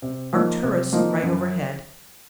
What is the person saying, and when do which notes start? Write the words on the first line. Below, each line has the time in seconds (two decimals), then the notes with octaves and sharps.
Arcturus right overhead.
0.02 C3
0.33 F3 A#3 D#4
0.63 C3
0.93 F3 A#3 D#4
1.22 F#2